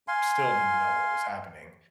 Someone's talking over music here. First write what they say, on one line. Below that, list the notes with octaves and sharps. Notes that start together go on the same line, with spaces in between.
still didn't know what was happening.
F5 G#5 C6